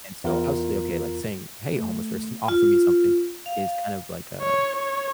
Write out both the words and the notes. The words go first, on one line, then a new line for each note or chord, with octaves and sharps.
And so, obviously, okay, like saying, "Hey, homeless person, offer me something," is kind of like, uh,
E2 F4 A#4
A3
F4
F5
C#5
C#5